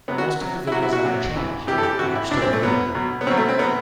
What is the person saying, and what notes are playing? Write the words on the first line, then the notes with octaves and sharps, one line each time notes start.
Most of the videos on their channel, however, are still viewable.
C3 F#3 B3
F#4
C3 F#3
E4
C3 F#3 F#4
E4
F#4
C3 F#3
C3 E3
C3 E3 G4
A4
G4
C3 E3 F#4
E4
C3 D4
E3
C4
A3
B2 F#3 B3
B2 F#3
B3
B2 F#3 C4
A3
C4
B2 F#3 B3